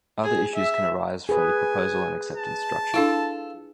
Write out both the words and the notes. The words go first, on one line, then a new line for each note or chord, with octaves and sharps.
Other issues can arise from the proposal and acceptance structure.
G#4
E5
G#4 B4 G#5
A5
D4 E4 F4 A4